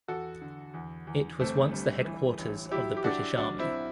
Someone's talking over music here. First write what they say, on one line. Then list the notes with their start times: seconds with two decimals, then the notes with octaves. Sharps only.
It was once the Headquarters of the British Army.
0.08 E2 F#4 A4
0.41 D3
0.74 E2
1.07 E2
1.40 G1 A3 C4
1.73 G2
2.05 E3
2.38 A1
2.71 F#3 E4 G4
2.97 G4
3.04 F#3 D4 F#4
3.37 B1 D4 F#4
3.59 C4 E4